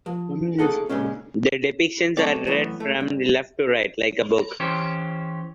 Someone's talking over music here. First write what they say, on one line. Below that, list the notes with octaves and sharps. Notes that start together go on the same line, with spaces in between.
The depictions are read from left to right, like a book.
F3
B1 E3 G#4 A4 F#5
A#2 C#3 G#3 C#4
B1 A3 C4 A4 C#5 D5
F#2 A2 E3 A3 B3
A3
G2
E3 C#4 G4 C5